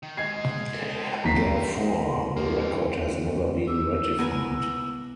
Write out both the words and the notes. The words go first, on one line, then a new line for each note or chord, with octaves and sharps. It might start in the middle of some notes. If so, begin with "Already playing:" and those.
Therefore, the record has never been ratified.
D#3
G#2 G#3 D#5 G#6 C7
A#5 B6 C7
F3 A#3
E4 D6 E6
B3 A#4 G#5